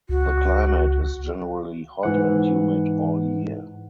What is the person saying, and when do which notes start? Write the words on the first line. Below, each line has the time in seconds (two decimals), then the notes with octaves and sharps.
The climate is generally hot and humid all year.
0.09 C#2 F#4
2.03 G#2 E3 F#5